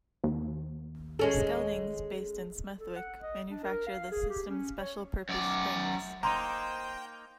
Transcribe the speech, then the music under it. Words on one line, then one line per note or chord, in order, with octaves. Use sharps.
Skeldings, based in Smethwick, manufacture the system's special purpose springs.
D#2
G#3 C#4 A4
A4
F#5
D#5
D4
A#4
F5
G#4
G4
C#4
C#5
F#2 D5
A#3 D#4 C5 G5 A#5 C6